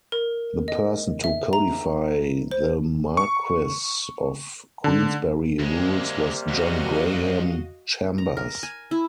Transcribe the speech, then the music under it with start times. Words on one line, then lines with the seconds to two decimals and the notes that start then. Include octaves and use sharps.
The person to codify the Marquess of Queensberry Rules was John Graham Chambers.
0.12 A#4
0.68 D#5
1.24 E5
1.53 A#5
2.51 C5
3.17 C#6
4.84 D3
5.59 D2 C3 G3 G#3 A#3
6.48 F2 F#4 D#5 F5
8.18 A#5
8.37 A#4
8.63 G#5
8.91 E4